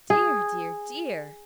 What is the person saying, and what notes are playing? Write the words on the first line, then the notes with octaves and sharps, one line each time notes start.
"Dear, dear, dear!"
G#4